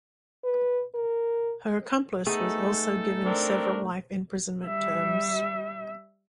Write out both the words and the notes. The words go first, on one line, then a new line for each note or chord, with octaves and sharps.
Her accomplice was also given several life imprisonment terms.
B4
A#4
A3 B3 D#4 G#4 A4
C4 D4 A#4
G3 E5